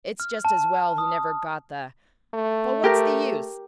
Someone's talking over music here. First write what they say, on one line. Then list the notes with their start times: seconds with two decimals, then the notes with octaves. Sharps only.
It's just as well he never got the--But what's the use?
0.20 F6
0.45 A5
0.98 D#6
2.35 A3
2.84 G4 A#4